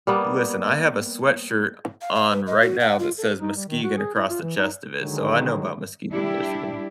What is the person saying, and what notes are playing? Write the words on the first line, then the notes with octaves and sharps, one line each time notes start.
Listen, I have a sweatshirt on right now that says Muskegon across the chest of it, so I know about Muskegon, Michigan.
G3 A#3 B3
F5
F5
B4
D#5
F#4
F#5
F4
A4
D#4
G3
D#3
F#4
G#4
E4
F4
E3
D#4
D3 D#3 F#3 G#3
G3 D4 E4 G4